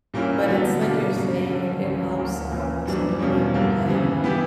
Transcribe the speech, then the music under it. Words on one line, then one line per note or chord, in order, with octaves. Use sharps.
But it's like you're saying, it it helps, um, also if you have a pet or
A#2 G3 A#3 C#4 E4
D3 F#3 B3
B2 G3 A#3 D4
F#2 C#3 F#3
D3 G3 C#4
C#2 C#3 E3
D2 D3 A#3
A#2 A#3 C#4
F#2 E3 G3 B3 D4
E2 B2 G3 A#3 C#4
G2 D3 A#3
C#3 E3 G3 B3
E3 B3 E4 G4